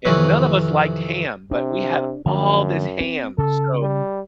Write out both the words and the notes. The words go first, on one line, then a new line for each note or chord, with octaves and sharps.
and none of us liked ham, but we had all this ham, so,
F2 C3 D#3 E3 B4 C#5
C3 D4
F#2 D3 F3 A3
C4
C#3 A4
G3